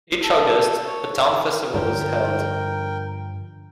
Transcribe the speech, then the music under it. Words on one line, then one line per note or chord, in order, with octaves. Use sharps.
Each August, a town festival is held.
A4
C#5
G2 D3 F3 A#4 G5